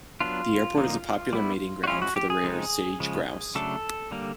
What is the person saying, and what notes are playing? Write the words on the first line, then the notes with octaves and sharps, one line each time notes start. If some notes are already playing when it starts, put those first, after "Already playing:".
The airport is a popular mating ground for the rare Sage Grouse.
F#3 B3 D4 F4
D3 F3 A#3 D#4
G3 B3 E4
F#4
F3 G#3 C#4 E4 F4
F#4
G4
G#4
C#3 F3 G#3 C4 D#4
C#3 F3 G#3
C#3 F#3 A3 D4 A4
D3 G3 A#3